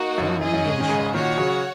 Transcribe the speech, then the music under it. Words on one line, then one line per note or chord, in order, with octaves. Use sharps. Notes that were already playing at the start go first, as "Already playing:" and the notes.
Crumbly and sharp.
Already playing: A#3 D#4 F#4
F#2
F#2 C#4 G#4 D#5
F#2
G#2
D#3
G#2 C#3
A#2 D#3 F#4 C#5 F#5
C#3 F#3